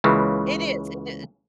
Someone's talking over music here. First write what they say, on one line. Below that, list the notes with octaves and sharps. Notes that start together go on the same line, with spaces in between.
It is, i
C#2 C#3 E3 A#3